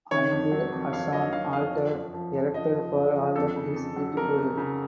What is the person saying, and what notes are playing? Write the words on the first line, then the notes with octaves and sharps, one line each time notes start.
And as an altar erected for all that is beautiful.
D#3 C#5
F2
F#3
F2
F2 F5
F#3 D#5
F#3 F5
F2 F5
F3
F#2
F3
F3
F3 D#5
F3
F#2
F3
F2 A4
C#3
F2
F#3
F2 A#4
C#3
C#3